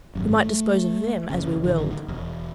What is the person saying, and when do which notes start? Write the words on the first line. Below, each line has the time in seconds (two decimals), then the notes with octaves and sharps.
We might dispose of them as we willed.
0.15 G#1 F#2
0.36 A3
1.30 F1 C#3
1.64 A1 D3 D#3
2.08 E1